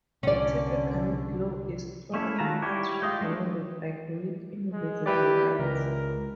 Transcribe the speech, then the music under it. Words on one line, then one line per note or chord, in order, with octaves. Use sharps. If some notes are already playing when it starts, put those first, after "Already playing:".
The typical glow is strong in ultraviolet but weak in visible light.
C2 D3 C#4 D5
A3 A#3 C#4 E4 A4
D#3 F4 F#4 A5 A#5
G3 E4 G4 C#5
F4 D#5 G5
G#3 A3 D4
G#3
E4 G4 B4 D5
C#2 A#4